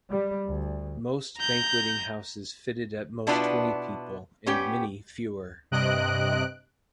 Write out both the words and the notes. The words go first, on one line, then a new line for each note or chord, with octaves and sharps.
Most banqueting houses fitted at most twenty people, and many fewer.
G3
D2
A#5 G6
B2 B3 D4 E4 F4 B4
B3 C#4 G4 G5
G2 C3 D#5 F#6 D7